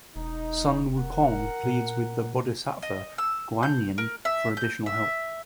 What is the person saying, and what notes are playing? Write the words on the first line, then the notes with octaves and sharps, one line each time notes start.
Sun Wukong pleads with the bodhisattva Guanyin for additional help.
E1 D#4
A#4 F#5
A#2
D#5
E6
G6
A#4
E5
G6
E5